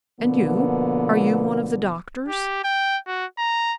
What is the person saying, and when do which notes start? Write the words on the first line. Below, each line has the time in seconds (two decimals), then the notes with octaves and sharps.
"And you, are you one of the doctors?"
0.21 B2 D3 F3 A#3 B3
2.28 G4
2.64 G5
3.07 F#4
3.38 A#5